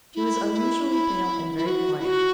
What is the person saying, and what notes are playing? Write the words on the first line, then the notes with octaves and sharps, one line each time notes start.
She was unusually pale and very quiet.
E4
E4
E4
E4
F#4
E4
F#4